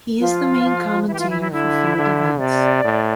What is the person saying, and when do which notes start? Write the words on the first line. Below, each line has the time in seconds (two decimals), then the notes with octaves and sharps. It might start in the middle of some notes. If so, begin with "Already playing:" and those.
He is the main commentator for field events.
0.20 F3 F4
0.63 F3
1.07 E3 E4
1.14 G4
1.19 F4
1.29 E4
1.41 E4
1.52 D3 E4
1.96 D3
2.39 C3 D5
2.84 A2